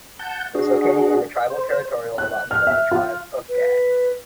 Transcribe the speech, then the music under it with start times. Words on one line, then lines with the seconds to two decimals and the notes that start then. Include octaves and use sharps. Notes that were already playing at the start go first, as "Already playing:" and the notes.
It was located in the tribal territorial allotment of the tribe of Gad.
0.19 F#5 A5 G6
0.55 D4 F#4 G#4
1.50 C5
2.18 F#6
2.51 F6
2.67 E5
2.91 F4
3.49 B4